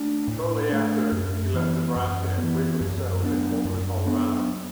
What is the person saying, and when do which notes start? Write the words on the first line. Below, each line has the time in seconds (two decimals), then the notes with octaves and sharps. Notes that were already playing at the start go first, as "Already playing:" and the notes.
Shortly after, he left Nebraska and briefly settled in Boulder, Colorado.
Already playing: A3 D4
0.27 A2
0.69 A3 D4
1.12 F#2
1.53 E3 B3
1.95 F#2
2.38 B3
2.43 E3
2.80 F#2
3.23 F#3 B3 D4
3.65 F#2
4.06 F#3 B3 D4